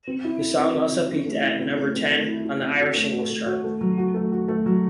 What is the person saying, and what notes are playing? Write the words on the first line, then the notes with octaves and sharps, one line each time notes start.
The song also peaked at number ten on the Irish Singles Chart.
C4
E4
E4
C4
C4
E3
C4
A3
E4
C4
A3
C4
A3
E4
E4
C4
F#4
A3
F#4
A3
F#4
A3
F#3
F#4
A3
F#4
A3
F#3